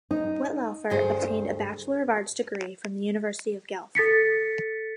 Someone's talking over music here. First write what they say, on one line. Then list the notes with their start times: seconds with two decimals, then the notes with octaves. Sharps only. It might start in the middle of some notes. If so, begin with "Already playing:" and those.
Wettlaufer obtained a Bachelor of Arts degree from the University of Guelph.
0.11 D#4
0.90 D2 G2 G#4 C5
3.95 A4 A6 B6 C#7